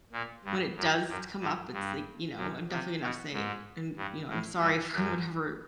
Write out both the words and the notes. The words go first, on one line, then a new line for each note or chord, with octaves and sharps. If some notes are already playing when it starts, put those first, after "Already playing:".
when it does come up, it's, like, you know, I'm definitely gonna have say, and, you know, "I'm sorry for whatever,
A#2
G2
F#2
F#2
G2
G2
F#2
C3
B2
G#2
G2
A2
G2
F#2